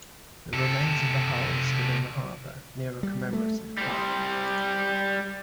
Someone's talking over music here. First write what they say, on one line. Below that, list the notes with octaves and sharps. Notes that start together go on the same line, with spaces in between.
The remains of the hull are still in the harbor, near a commemorative plaque.
C3 A4
G3
A3
G3 C5